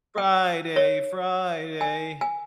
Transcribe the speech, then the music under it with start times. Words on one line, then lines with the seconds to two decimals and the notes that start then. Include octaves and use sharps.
Friday. Friday.
0.18 G5
0.76 C#5
1.81 G#5
2.21 G#5